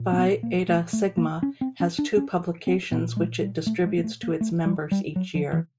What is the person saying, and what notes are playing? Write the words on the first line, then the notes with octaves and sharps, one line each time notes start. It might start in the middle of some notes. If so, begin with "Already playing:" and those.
Phi Eta Sigma has two publications which it distributes to its members each year.
Already playing: A#2
C4
B3
A#3
A3
A3
A#3
C#4
C4
C#4
D4
C#4
C4
A#2 B3
G#3
G3
A3
G#3
A#3
A3
A#3
A3
G3
G3
F#3
F3
E3